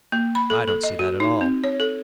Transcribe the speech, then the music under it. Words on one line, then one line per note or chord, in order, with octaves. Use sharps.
"I don't see that at all."
A#3
B5
A4
A4
D#5
F#4
D#4
C4
C#5
A4